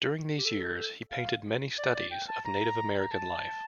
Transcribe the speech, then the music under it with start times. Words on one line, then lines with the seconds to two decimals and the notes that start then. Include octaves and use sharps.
During these years, he painted many studies of Native American life.
0.38 G4
0.45 A4
1.11 F5
1.78 D5
1.95 D5
2.11 G5
2.28 A5
2.45 A#5
3.00 A#5
3.11 A5